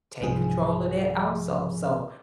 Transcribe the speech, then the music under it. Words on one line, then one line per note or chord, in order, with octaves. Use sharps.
take control of that also, so
C2 G#2 F3 G#4